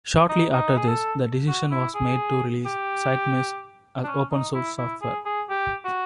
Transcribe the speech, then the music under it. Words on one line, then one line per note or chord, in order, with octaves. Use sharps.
Shortly after this, the decision was made to release SiteMesh as open source software.
D#4
D#4
G#4
A4
F#4
E4
G#4
G4
D4
C#4
D#4
E4
E4
G#4
G#4
G4
F#4